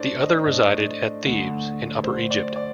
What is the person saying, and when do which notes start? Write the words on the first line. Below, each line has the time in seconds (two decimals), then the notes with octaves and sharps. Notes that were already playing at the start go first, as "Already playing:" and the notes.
The other resided at Thebes in Upper Egypt.
Already playing: A2 A3 D4 C5 D5
0.20 D#5
0.46 A2 A3 D4 D#5
1.24 D2 D3 A3
2.04 D2 D3 A3 C5
2.31 D5
2.56 D5